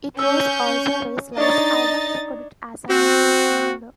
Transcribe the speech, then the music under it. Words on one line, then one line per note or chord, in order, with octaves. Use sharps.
It was also Ray's last album recorded as a member of Menudo.
C#4 C#6 E6 G6
D4 D#4 C#5 D#5 A6
C4 F#4